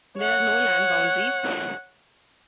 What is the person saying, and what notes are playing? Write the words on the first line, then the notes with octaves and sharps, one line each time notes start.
There are no land boundaries.
C#5 F#5